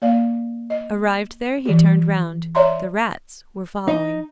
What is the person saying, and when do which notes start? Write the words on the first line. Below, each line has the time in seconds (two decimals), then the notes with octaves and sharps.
Arrived there he turned round; the rats were following.
0.02 A#3 D5 F5
0.70 D#5
1.66 E3 G4
2.55 C#5 D5 E5 A#5 C6
3.88 D#4